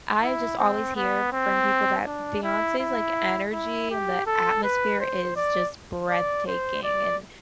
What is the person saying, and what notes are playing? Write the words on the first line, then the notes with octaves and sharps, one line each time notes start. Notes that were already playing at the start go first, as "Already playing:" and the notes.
I just always hear from people that Beyoncé's, like, energy and the atmosphere is just breathtaking, and
E4
C4
B3
C4
D4
E4
E4
E4
G4
A4
B4
C5
D5
D5
C5
D5